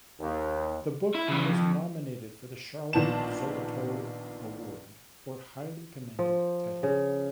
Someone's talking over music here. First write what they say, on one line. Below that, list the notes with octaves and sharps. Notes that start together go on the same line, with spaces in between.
The book was nominated for the Charlotte Zolotow Award for Highly Commended Title.
D#2
E4
C#3 E3
F2
A#1 D#3 B3 A5 E7
F3
C#3